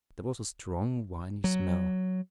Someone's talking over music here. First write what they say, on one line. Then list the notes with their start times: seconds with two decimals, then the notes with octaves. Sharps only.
There was a strong, winey smell.
1.44 F#3